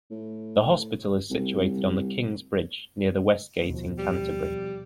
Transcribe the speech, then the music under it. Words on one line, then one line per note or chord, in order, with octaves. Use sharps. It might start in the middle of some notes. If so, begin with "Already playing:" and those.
The hospital is situated on the King's-bridge, near the Westgate, in Canterbury.
A2
C2
D#2 B2 F3
G3